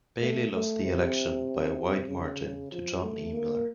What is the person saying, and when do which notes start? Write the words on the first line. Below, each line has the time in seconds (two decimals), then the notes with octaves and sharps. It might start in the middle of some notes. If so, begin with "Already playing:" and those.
Bailey lost the election by a wide margin to John E. Miller.
0.21 A3
0.52 A3
0.84 C3
2.08 C#3
2.72 F3
3.02 A3
3.33 A#3